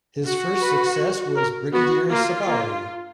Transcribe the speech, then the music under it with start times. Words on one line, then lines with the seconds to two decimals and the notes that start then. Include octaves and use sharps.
His first success was "Brigadier Sabari".
0.24 F#4
0.61 B4
1.36 A#4
1.73 B3 F#4
2.11 A#3 F4
2.48 A#3